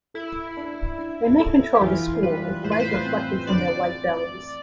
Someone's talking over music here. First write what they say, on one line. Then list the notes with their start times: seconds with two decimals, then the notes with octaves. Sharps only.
They may control the school with light reflected from their white bellies.
0.14 E4 A4
0.57 D4
0.98 D4
1.40 A4
1.75 G4
1.81 E3 F4
2.23 G3 B4
2.64 A2 C5
2.72 B4
2.80 C5
3.05 C4
3.47 D3 D5